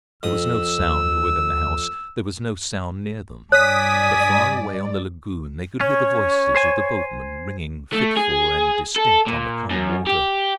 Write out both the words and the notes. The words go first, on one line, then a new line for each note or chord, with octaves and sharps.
There was no sound within the house, there was no sound near them; but far away on the lagoon they could hear the voices of the boatmen ringing fitful and distinct on the calm water.
F2 D#6 E6
D#2
G2 C#5 D5 G#5 D#6 F#6 B6
C#4 C#5
C5 G#5
A3
G#4
A4
A#2
F#2
G4